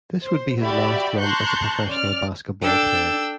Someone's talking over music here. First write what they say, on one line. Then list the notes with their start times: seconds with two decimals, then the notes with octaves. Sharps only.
This would be his last run as a professional basketball player.
0.23 C5
0.60 F#4 G4 D5 E5 G5 B5
1.20 A5 A#5 C6 C#6 F#6 G6
1.89 C#4 D5 F6
2.61 D4 A4 G5 E6